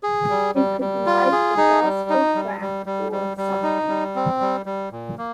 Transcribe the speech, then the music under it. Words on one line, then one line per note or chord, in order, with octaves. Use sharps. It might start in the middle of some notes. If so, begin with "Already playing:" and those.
It could be like a gospel track or something.
G#4
G3
G3
G3
F4
G#4
D#4
G3
D#4
G3
G3
G3
G3
G3
D#4
G3
C4
G3
G3
A#2
A#3